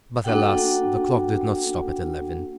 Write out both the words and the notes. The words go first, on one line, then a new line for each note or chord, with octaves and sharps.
But alas! the clock did not stop at eleven.
A#3 D4 F#4 A4 F#5 G5